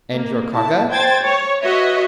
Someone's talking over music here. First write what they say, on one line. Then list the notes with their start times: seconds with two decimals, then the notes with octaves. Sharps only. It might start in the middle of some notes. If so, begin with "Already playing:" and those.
"And your cargo?"
0.13 A#3
0.54 E4 A5
0.90 C5 G5 G#6 A6
1.23 C#5
1.63 F#4 B4 C#5 D#5 E5